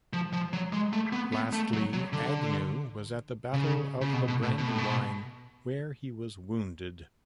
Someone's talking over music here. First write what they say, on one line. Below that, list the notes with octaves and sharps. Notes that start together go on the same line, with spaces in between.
Lastly, Agnew was at the Battle of the Brandywine, where he was wounded.
F3
F3
F#3
G#3
A3
B3
B3
A3
F#3
F#3
D3
C#3
C#3
B2
B2
A2
B2
A2
B2